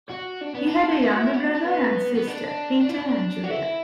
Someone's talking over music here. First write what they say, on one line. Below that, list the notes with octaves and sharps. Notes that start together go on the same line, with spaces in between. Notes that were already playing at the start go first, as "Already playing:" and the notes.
He had a younger brother and sister, Peter and Julia.
F#4
D4
B3
D4
E4
F#4
E4
F#4
D4
B3
B3
D4
D4
E4
D4
D4
F#4
E4